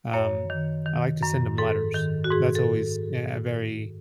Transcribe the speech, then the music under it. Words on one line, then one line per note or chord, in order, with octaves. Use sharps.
um, I like to send 'em letters. That's always, eh, a very
F#2 C#5
D#3
D#3
F#2
G#2 A4
D#3
F#4
G#2 G#4
A4